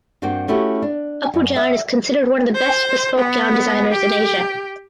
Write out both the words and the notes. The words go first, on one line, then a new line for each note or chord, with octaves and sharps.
Apu Jan is considered one of the best bespoke gown designers in Asia.
G2 A#3 C4 F#4 G5
A3 C#4 E4 F#4 G4
D4
F#2
E5
C5
B3
G4